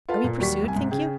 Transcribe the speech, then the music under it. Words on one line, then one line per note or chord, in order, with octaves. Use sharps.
Are we pursued, think you?
F4 A4 B4 F5 F#5
A#2
D#2 F#3 G3 D5 C#6 B6
C2 G#5
G#2 C3
C#3 G#4 G5